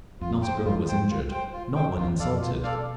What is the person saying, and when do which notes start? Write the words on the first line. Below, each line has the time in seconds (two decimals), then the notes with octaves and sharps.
Not a girl was injured, not one insulted.
0.21 F2 F4
0.43 G5
0.48 C5
0.65 F2 F4
0.87 F2 C5 G5
1.10 F4
1.31 C5 G5
1.53 F4
1.75 C5 G5
1.97 E2 F4
2.19 F2 A4 D5 F5
2.41 B2 F4
2.63 A4 D5 F5